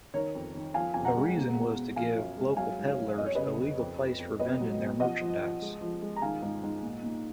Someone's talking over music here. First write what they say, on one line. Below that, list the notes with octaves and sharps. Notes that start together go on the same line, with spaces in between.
The reason was to give local pedlars a legal place for vending their merchandise.
D#3 A#4 C#5
F2
D#3
F3 F5 G#5
F2 G#5
F#5 A#5
G#3
B2
B2
B2
F3 F5 G#5
F#2
G#3
F#3 F5 G#5
G#2
C#5 F5
F#3
F2 D#5
C#5
C#3 B4 D#5
F2
F2
F2
F2
B2 B4 D#5
F#3
B2
F3 D#5 F#5
F3
F3
G#3
F3
G#3
A#5
D#3 F5 G#5
G#2
G#2
A#2
A#2